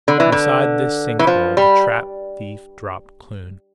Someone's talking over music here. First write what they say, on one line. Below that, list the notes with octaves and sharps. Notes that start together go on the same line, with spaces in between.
Beside this sink hole the trap-thief dropped Kloon.
D3
E3
D3
E3
F3
G3